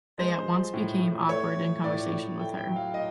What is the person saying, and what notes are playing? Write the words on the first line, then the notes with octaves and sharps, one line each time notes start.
They at once became awkward in conversation with her.
G#3 C5
F3
A2
A2
A3 C#5
F3
A2 D5
A2
A3 G5
G5
F#3
F5
A2 D#5